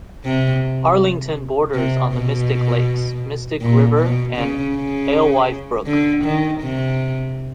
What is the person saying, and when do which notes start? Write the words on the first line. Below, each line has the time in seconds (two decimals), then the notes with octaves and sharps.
Arlington borders on the Mystic Lakes, Mystic River, and Alewife Brook.
0.24 C3
1.74 C3
2.12 B2
3.61 A#2
3.99 B2
4.36 C#3
4.74 C#3
5.86 D3
6.24 D#3
6.61 C3